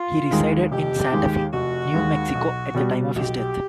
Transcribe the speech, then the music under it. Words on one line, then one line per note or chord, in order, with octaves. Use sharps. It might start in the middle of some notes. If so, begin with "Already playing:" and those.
He resided in Santa Fe, New Mexico at the time of his death.
Already playing: F4
D#2 D#3 G#3
F1 G4
D#2 D#3 G#3
F1 F#4
D#2 D#3 G#3
B1
B2 G3
B1 G4